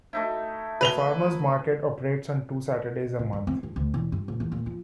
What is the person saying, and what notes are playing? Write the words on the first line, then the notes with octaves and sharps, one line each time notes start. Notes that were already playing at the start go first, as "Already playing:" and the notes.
A farmers' market operates on two Saturdays a month.
A3 D#4 E4
B4 F7 G7
C2
F#2
C4
G2
D2
E1
G2
A#1
E2
A#2
F3